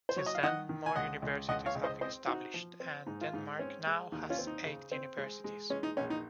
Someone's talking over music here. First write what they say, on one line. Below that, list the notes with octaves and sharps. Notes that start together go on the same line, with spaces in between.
Since then, more universities have been established, and Denmark now has eight universities.
C5
F#3 C#5
D#5
F5
D#3 D#5 F#5
D#3
G#5
C#2 D#5 F#5
C#2
C#2 D#5 F#5
C#5 F5
C#2
C5 D#5
C4 C5 D#5
C4 D#4 F#4
F3
C4
G#2 D#4
F4
G#2 D#4
C4 C#4
G#3
D#2 D#4
C#4 F4
C4
D#4
C#3
C4
G#3
G#3
G#3 C#4
D#4
A#1 C#4
D#4